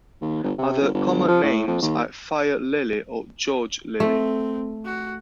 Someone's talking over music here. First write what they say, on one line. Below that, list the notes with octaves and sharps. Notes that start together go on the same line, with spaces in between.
Other common names are fire lily or George lily.
D#2
G1
C3
G1
G1
F3
A2
F2
D#2
A3 C4
F#4